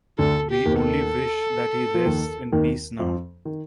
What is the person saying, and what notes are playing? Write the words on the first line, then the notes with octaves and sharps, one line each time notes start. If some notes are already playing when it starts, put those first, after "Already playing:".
We only wish that he rests in peace now.
D2 D3 A4
G4
D#2 D#3
A4
F3
D#2 D#3
D#2 D#3
F2 F3
D#3